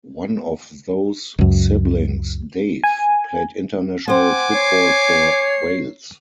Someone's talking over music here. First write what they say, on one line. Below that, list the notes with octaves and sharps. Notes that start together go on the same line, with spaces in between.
One of those siblings, Dave, played international football for Wales.
C#2 F#2
G#5
C4 C5 F#5 G#5 D6
C#5 C7